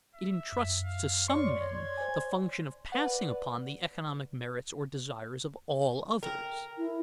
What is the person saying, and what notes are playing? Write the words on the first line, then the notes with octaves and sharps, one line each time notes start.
It intrusts to some men the function of passing upon the economic merits or desires of all others.
E5
F#2
F5
C#5 D5 C6 C#6
G#6
C5 G#5
B4 D5 F#5
A#4 G5
E4